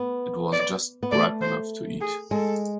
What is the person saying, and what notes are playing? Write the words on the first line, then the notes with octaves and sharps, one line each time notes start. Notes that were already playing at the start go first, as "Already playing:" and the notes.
It was just ripe enough to eat.
Already playing: B3
D5
B3
A3 D5
C5
G#4
G#3 A4